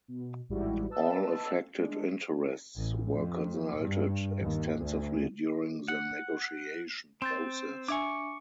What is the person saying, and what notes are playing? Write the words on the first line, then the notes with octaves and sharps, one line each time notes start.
All affected interests were consulted extensively during the negotiation process.
B2
A1 G#2 G3 E4 F#4
B4 D#5 A5 E6
G#3 D4
A1
F2
G2
D#2
D2
F#5
C4 C6 G6 A6
D4 E5 G#5 C#6 D6